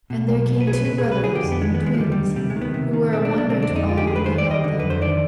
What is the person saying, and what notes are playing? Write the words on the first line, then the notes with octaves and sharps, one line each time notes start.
And there came two brothers, twins, who were a wonder to all who beheld them.
B2
B1
B2
B4
B1 G#4
B4
B2 B4
G#4
C2
B4
D3 G#4
G4
F2
B3
D#3 G#3
B3
D#2
G#3
F3
D3 G3
G3
D#2
C3 G3
G#3
D#3
B3
C3
D#3
B2 C4
D4
B1
D4
D3 C4
D4
F2
D#4
D3 F4
G4
F2 G#4
B4
D#3 C5
D5
D#2
D#5
D3
F2 B4
C5
D#3 D5